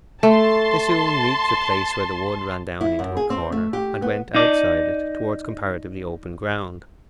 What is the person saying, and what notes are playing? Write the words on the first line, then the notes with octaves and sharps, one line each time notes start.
They soon reached a place where the wood ran down into a corner, and went outside it towards comparatively open ground.
A3 A5 C6
E4
F#2
G#4
C4
A3
G4
B3
D#4 D5